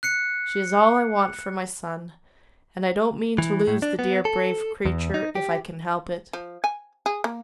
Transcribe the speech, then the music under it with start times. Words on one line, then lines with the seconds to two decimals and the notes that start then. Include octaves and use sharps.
She is all I want for my son; and I don't mean to lose the dear, brave creature if I can help it.
0.03 F#6 C7 C#7
3.38 E3
3.67 A2
3.82 D4
3.99 B3
4.25 A4
4.85 E2
5.14 D#4
5.35 G4
6.33 F3
6.64 G#5
7.06 G#4
7.24 A#3